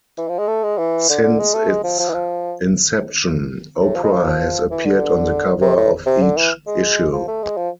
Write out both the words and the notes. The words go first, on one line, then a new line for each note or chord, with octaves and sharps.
Since its inception, Oprah has appeared on the cover of each issue.
E3
F3
G#3
A3
G#3
E3
D3
D3
G#3
A3
G#3
F3
F3
E3
F3
A2
F3
G#3
F3
E3
D3
C3
A2
C3
D3
E3
G#3
F3
A3
G#3
F3